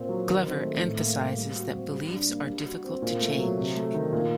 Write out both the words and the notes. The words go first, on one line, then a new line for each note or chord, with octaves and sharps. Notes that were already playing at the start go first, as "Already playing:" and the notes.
Glover emphasizes that beliefs are difficult to change.
Already playing: A#2 C4
F#3
D#3
C4
A3
A2
A#3
G3
G3
F#4
C4
G3
D4
A#3
G3
F#4
C4
A#2
A3
F#3
C3
A3
D#3
A#2